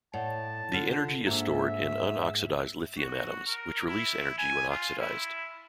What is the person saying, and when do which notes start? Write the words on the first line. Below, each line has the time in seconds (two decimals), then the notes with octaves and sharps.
The energy is stored in unoxidised lithium atoms, which release energy when oxidised.
0.14 A2 C#5 D5 F#5 A5
0.74 D3 F4
1.27 G#2 A#3 D4 E5
2.98 F#4
3.47 A#4
3.88 E4
4.38 G#5
4.70 F4
4.99 E4